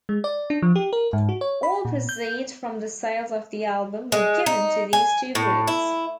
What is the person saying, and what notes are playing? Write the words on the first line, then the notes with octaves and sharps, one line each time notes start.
All proceeds from the sales of the album were given to these two groups.
G#3
D5
D4
F3
G4
A#4
G#2
F#4
C#5
B5
A#2
G6
G#3
D#4
G#5
A2
E4